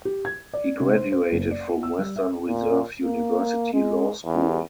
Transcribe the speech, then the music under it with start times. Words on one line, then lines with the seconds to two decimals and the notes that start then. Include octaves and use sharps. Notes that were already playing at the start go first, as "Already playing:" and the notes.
He graduated from Western Reserve University Law School.
0.05 G4
0.25 G#6
0.53 D5
0.80 C3
0.95 C5
1.12 C5
1.32 F#1
1.51 D5
1.69 F4
1.83 E6
1.99 G3
2.16 E5
2.48 A#2
3.04 A#3
3.73 G#3
4.25 E2